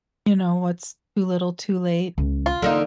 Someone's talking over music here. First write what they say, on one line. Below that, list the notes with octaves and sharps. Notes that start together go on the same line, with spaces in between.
You know, what's too little too late,
C#2
F4
D3 E3 A#3 D#4